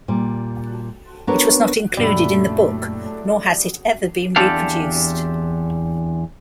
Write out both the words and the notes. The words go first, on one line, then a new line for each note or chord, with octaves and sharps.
It was not included in the book, nor has it ever been reproduced.
A#2 G3
B3 D4 F#4 A4 A#4 C#5
F#2 A#2 C#3 F#3 A3 D4 E4 G4
E2 C4 D4 G4 A4 F5